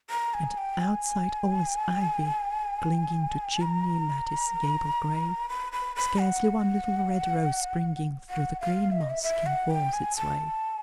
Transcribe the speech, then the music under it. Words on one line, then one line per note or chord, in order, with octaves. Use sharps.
And outside all is ivy, clinging To chimney, lattice, gable grey; Scarcely one little red rose springing Through the green moss can force its way.
A#5
G#5
G5
G#5
A#5
B5
B5
B5
F#5
F#5
F5
E5
D#5
E5
E5
F#5
G5
G#5
A5